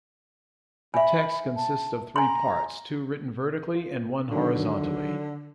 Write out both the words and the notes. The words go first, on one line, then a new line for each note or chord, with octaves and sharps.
The text consists of three parts, two written vertically and one horizontally.
E5 G#5 B5
A5
G#5 A#5 C6
F4
D3 D#3 F#3 D4